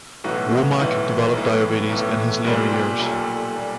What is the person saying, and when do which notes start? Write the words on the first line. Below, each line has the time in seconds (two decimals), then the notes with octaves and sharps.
Womack developed diabetes in his later years.
0.24 B1 A2 E3 F#4
0.79 B1 A2 E3
1.34 B1 A2 E3
1.89 B1 A2 E3
2.44 B1 A#2 G3
2.72 G4
2.99 B1 A#2 G3 A4
3.56 A#2 G3